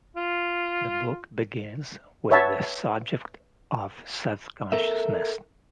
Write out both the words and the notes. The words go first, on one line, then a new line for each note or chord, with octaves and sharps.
The book begins with the subject of self-consciousness.
F4
B4 C#5 E5 F#5 A5
A4 A#4 E5